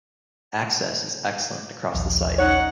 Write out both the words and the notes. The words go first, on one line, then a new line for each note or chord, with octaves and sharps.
Access is excellent across the site.
A#1 D#2 F3
C#4 D#4 C#5 F#5